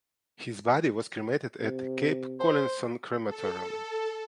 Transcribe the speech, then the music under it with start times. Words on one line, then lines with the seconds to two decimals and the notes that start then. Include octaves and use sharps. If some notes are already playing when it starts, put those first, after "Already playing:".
His body was cremated at Cape Collinson Crematorium.
1.61 C3
2.40 C5
3.28 A4